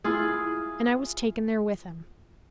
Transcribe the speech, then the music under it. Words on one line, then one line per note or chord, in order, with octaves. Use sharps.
And I was taken there with him.
E4 F4 G#4